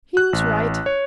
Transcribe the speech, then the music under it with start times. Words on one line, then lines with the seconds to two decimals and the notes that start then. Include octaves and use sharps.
He was right.
0.17 F#6
0.33 A1
0.86 C#5